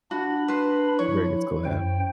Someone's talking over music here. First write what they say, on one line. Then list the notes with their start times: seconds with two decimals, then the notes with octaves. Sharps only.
Very good skill to have.
0.11 D4 F#4 B5
0.48 B4 C5
0.99 F3 E4 C#5
1.65 F#2 C5 G5